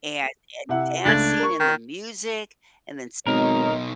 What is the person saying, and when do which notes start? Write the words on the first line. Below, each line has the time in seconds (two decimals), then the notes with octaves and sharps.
and and dancing, and the music, and then s
0.69 C3 E4 F#5
1.05 C#2 A3 D4 G#6
1.39 A#4 C#6
1.60 D#3
3.27 G#1 B2 D#4 A#4 C#5 D#5